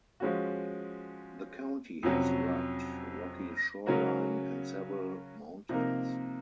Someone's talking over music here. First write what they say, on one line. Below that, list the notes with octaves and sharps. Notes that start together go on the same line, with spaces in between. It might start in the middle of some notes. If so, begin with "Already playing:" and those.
The county has rugged, rocky shoreline and several mountains.
F3 G#3 C#4 F#4
F2 C3 F#3 C#4 F#4
C#3 F#3 C#4 F#4 A#4
C3 F3 A#3 D#4 A#4